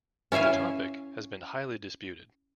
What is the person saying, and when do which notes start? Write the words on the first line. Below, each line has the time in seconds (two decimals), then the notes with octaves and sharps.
The topic has been highly disputed.
0.32 C#4 E4 E5 F5 G#5